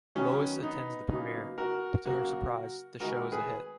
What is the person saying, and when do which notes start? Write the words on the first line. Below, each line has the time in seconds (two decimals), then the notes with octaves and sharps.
Lois attends the premiere, but to her surprise, the show is a hit.
0.15 D#3 F#3 B3 C#4
0.63 B3 D#4
1.10 C#3 F#3 A#3 B3 D#4
1.58 F#4 A#4
2.06 C#3 F#3 A#3 F#4 A#4
3.00 D#3 G#3 B3 F#4 A#4
3.32 G#4 B4